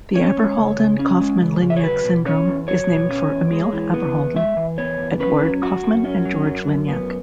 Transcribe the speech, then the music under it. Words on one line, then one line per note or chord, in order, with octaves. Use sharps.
The Abderhalden-Kaufmann-Lignac syndrome is named for Emil Abderhalden, Eduard Kaufmann and George Lignac.
C#4 C#5
G#3
C#3
C#3
C#4
G#3
C#3
C#3
E5
C#5
F#3 B4
B2
C#4 C#5
E2
F#3 C#5
B2
C#4
E2
G#3
E3
B3
E2
G#3 E5
E3
B3 C#5
E2
C#4 B4
F#3
F#2 F#4
F#2
C#4
F#3
F#2
F#2
B3